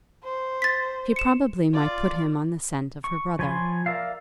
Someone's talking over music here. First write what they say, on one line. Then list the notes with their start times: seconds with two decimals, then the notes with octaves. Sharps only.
She probably might put him on the scent of her brother.
0.23 C5
0.62 A6 B6
1.16 C#7 E7
1.74 F4 D5
3.04 C#6
3.39 F3 C#5 G#5 B5 C6
3.86 A#4 D5 E5 F5